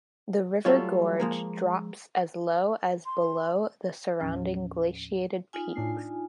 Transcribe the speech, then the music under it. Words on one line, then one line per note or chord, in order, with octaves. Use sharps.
The river gorge drops as low as below the surrounding glaciated peaks.
F#3 G3 A3 F4 C#5
F3 G#3 A#3
C6
D#2 A2 F3 C#4
D#4 F4 G#5
A2 D4 C7
D4